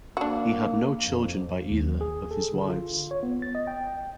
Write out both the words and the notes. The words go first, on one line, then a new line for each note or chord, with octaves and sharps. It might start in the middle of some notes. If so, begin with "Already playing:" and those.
He had no children by either of his wives.
A#3 D4 F#4
F2
D#2
G#4
A4
D3
F4
C#5
B3
A6
D#5
G5